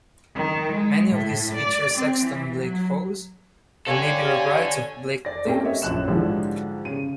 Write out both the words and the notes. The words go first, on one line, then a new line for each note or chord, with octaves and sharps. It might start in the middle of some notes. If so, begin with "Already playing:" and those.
Many of these feature Sexton Blake foes and may be rewrites of Blake tales.
D#3
G#3
A2
D5
C4
E3
F#3
G4 A4 C#5 D5 F5 G#5
D5 A#6
A3 A#3 C4 C#4 G4
C#5 D#5 E5
A#1 F#2 F#6 E7
G#2 D3 F3 G3 E4
C#3 D#7